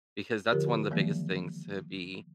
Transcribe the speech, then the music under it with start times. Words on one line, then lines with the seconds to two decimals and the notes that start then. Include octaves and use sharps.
Because that's one of the biggest things to be
0.52 D3 F3 F4 G4 A#4
0.91 D#3 F3 F#3 G#3 A#3